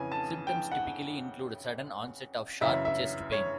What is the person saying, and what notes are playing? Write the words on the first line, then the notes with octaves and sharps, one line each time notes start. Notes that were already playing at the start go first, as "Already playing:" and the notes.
Symptoms typically include sudden onset of sharp chest pain.
Already playing: F2 C#3 E3 G#5
A5
G5
F#5
F#2 C#3 E3 E5
E5
C#5